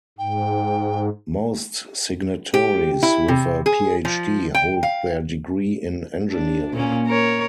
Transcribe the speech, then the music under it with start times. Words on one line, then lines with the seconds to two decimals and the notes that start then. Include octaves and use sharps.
Most signatories with a PhD hold their degree in engineering.
0.18 G#2 G5
2.54 G4
3.03 E4
3.28 C3
3.66 G#4
4.05 F3
4.55 G5
4.83 F5
6.31 D4
6.72 A#2 A#3 C#4
7.07 A#4 C#5